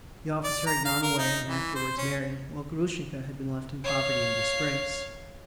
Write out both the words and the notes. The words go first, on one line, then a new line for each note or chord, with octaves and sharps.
The officer had gone away and afterwards married, while Grushenka had been left in poverty and disgrace.
D5
A#5
F5
A#4
D#4
E3
C5
C#4
C#5 F5